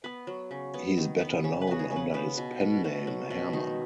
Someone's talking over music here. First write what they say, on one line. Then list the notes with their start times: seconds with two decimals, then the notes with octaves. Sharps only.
He is better known under his pen-name Hermann.
0.04 B3 B4
0.27 F#3
0.51 C#3
0.74 B3
0.98 D#3
1.21 B3
1.44 C#3
1.61 B4
1.67 B3 F#4
1.79 G#4
1.91 C#3
1.96 B4
2.14 B3 B4
2.37 B2
2.60 B2
2.84 B2 F#4
3.07 F#3
3.30 B2
3.53 D#3 D#4